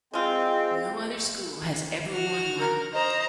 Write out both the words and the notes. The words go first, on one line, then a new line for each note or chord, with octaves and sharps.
No other school has ever won one.
G#3 C4 F4 G#4 D#5
F#4 F6
A#4
C5 D#5 A#5